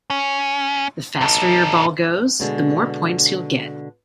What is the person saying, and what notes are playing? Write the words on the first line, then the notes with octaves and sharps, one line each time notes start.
The faster your ball goes, the more points you'll get.
C#4
D#4 A4
B2 D3 G#3